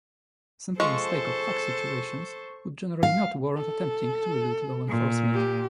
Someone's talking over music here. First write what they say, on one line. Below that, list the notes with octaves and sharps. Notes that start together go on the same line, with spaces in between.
Simple mistake of fact situations would generally not warrant attempting to elude law enforcement.
F3 G#3 A4 C5 C#6
F5
A4
A#2
G4